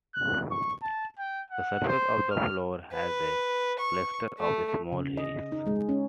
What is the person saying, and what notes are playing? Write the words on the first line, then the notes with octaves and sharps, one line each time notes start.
The surface of the floor has a cluster of small hills.
F#6
C#6
A5
G5
F#5
C5
F6
B4
C#6
A3
C#3
D#5
D#4
G#3
C#4